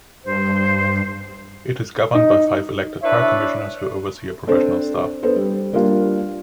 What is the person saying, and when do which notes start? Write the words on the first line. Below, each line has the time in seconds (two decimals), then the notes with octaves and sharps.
It is governed by five elected park commissioners who oversee a professional staff.
0.25 G2 C5
2.15 D#4
3.03 D4 E4 B4 C#5 E5
4.47 C4 D4 A4 C5
5.23 B3 D4 A4 B4 C5
5.36 G3
5.73 G3 A#3 D4 F4 F5